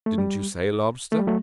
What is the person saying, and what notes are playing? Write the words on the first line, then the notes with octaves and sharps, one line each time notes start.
"Didn't you say lobster?"
A3
G3
A3
G3
F#3 A3